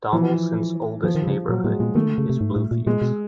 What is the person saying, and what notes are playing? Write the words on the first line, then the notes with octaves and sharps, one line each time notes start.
Donelson's oldest neighborhood is Bluefields.
E3 F3
E3 F3
D#3
C#3
A#2 F#3
A2 G#3
A#2 G#3
D#3 A3
D3
C#3
C3
G#2
A2
A#2
A#2 G#3
B2